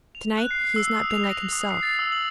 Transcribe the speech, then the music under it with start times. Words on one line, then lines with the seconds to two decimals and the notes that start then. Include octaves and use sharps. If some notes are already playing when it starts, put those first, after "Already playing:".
'To-night he has not been like himself.
0.15 F7
0.38 F#6
0.51 C7
0.76 E6
0.96 D#6
1.10 F7
1.24 A#6
1.52 D#6
1.71 C7
1.83 A6
1.99 E6
2.12 F#7